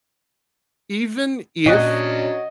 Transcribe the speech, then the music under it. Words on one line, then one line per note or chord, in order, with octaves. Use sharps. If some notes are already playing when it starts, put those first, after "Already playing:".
even if
A#2 F#3 C#4 D4 F#4 D#5